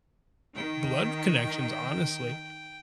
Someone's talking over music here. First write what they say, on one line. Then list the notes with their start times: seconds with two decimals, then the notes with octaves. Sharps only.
blood connections, honestly.
0.55 D#3 G5